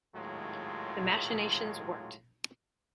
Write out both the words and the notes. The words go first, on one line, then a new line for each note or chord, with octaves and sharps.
The machinations worked.
G#1 D#2 A2 F#3 G#3 F4